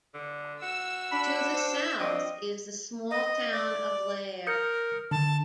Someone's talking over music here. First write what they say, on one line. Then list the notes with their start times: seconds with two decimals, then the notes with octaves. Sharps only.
To the south is the small town of Lairg.
0.14 D3
0.62 F#4 E6
1.12 D4 B5
1.53 C5
1.99 F3 C4 D4 D#5
3.11 D#5
3.52 D5
4.47 A#4 D#6 G6 C#7
5.11 D3 A5